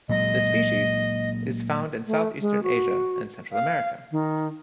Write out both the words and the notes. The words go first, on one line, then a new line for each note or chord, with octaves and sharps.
The species is found in Southeastern Asia and Central America.
A#2 F#3 G#3 D#5
A3
G#3
F#4
F5
D#3